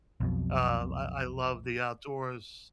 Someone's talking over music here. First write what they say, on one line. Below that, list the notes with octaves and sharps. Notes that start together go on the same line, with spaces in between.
uh, I I love the outdoors,
B1 F2 B2